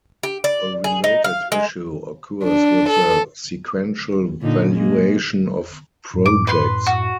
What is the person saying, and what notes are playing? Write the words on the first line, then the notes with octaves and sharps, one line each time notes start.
A related issue occurs with the sequential valuation of projects.
G4
D5
G#4
D#4
F5
G#3
D4
A4
A#2 D3 D#4
G#3 A#3
F#2 A2
D6
B4 C6
F#4